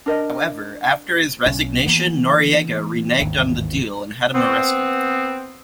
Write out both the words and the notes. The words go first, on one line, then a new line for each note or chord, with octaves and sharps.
However, after his resignation, Noriega reneged on the deal and had him arrested.
D4 A#4 D#5
B1 C#4
E3 A#3 B3
G#1 D#2 A2 E3
B3 C4